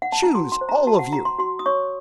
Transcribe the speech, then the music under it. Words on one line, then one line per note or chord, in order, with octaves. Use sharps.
"Choose, all of you!"
F#5
A5
A#5
F#4 C6
C6
C5
A#5
F#4 A5
F#5
F#4 A#5
C6
F#4 C6
D#6
C#5 C#6